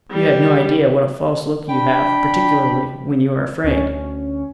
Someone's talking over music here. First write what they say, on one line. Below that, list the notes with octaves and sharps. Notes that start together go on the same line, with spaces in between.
You have no idea what a false look you have, particularly when you are afraid.
G3
D4 G5 B5
D2 C#4